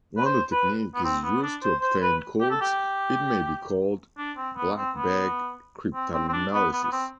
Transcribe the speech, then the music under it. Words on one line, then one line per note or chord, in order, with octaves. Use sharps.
When the technique is used to obtain codes it may be called Black-bag cryptanalysis.
B4
C5
B4
B3
C4
B3
D4
C5
C5
B4
G4
A4
G4
D4
C4
B3
C4
B3
C4
C4
C4
D4
B3
B3
B3
C4